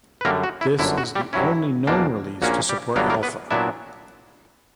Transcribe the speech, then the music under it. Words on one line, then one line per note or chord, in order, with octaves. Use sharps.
This is the only known release to support Alpha.
B4
F#2 D3 G3 A#3 A#4
F#4
E4
G1 F#2 D3 E4
F#4
G3 G4
G2 F#3 C#4 E4
E2 B2 A#3 D4
A#1 A#2 A#3 C#4 F#4
G3 G4
G1 G2 F#3 A#3 B3 D4 A#4
A#3 A#4
B3 B4
A#2 F#3 B3 D4 E4 E5